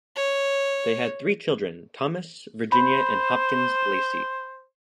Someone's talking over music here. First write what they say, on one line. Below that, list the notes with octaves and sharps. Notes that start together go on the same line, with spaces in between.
They had three children: Thomas, Virginia, and Hopkins Lacey.
C#5
C5 B5